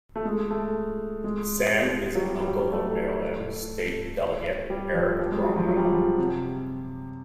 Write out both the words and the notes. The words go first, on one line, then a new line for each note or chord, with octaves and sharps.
Sam is an uncle of Maryland State Delegate Eric Bromwell.
A3
G#3
A3
G#3
F#3
G3
G3
F#3
A3
G3
F3
G3
G#3
F#3
F3
F#3
G3
F#3
F3
C3